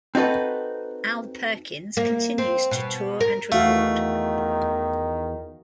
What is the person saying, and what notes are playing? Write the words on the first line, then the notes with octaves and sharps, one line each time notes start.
Al Perkins continues to tour and record.
C4 D#4 F#4 A4 B4
A#3
C4
B2
A#4
E2 D#3 A3 F#4 F5